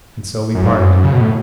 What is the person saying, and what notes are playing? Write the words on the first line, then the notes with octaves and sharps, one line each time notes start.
And so we parted.
F#2
G#2
F#2
C#3
B2
A2